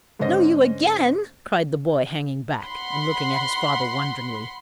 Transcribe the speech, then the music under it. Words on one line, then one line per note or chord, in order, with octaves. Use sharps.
"Know you again!" cried the boy, hanging back, and looking at his father wonderingly.
G#2 D3 C#4 C5 D#5 A#6
F#5 B5 C6